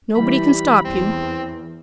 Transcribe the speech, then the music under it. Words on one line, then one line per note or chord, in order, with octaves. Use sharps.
Nobody can stop you.
E3 G3 B5
E2 C4